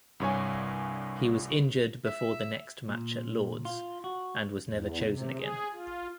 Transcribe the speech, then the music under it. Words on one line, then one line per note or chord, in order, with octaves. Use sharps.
He was injured before the next match at Lord's, and was never chosen again.
C2 G2 C#5 G#5
E5
A#2
F4
F#4
E2
C3
G#4
F4